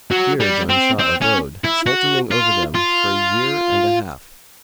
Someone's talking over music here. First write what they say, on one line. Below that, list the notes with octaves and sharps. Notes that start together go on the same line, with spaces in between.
Here Janshah abode, Sultaning over them, for a year and a half.
F#3
G3
C4
C4
C#4
E4
F#4
F4
F4